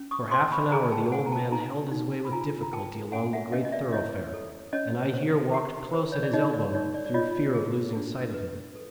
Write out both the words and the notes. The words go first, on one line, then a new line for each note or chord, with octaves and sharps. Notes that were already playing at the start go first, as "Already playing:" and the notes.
For half an hour the old man held his way with difficulty along the great thoroughfare; and I here walked close at his elbow through fear of losing sight of him.
Already playing: C#4
C#6 D#6
C5 C6 D6
B5 C#6
G#4 G#5 A#5
G5 A5
C5 F#5 G#5
A#5
G5 A5
D#4 G#5 A#5
D#4
B5
F4 G#5 A#5
A#5
A#4 G5 A5
C#4 F#5 G#5
E5 F#5
C#4 D#5 F5
D#5
D5 E5
E4 C#5 D#5
A4
C#4 C#5 D#5
C5
G4
C5
C#5
D5
D#4 C#5 D#5
D5
D#4 C#5
D5
D5
F4 C#5 D#5
G#4
D4
B4
A4